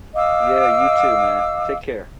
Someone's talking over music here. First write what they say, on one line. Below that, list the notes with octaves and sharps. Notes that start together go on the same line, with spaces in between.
Yeah, you too, man. Take care.
D#5 F5 D6 E6